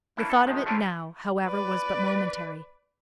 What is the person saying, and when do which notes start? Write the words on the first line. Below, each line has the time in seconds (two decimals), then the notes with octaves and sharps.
The thought of it now, however, was but momentary.
0.17 E3 A#3 C#4 D4 E4
0.30 A4
0.45 A#1 D#3 F3 G#3
0.66 F3 A3 C#4 D4 E4 F4
1.46 B4 D5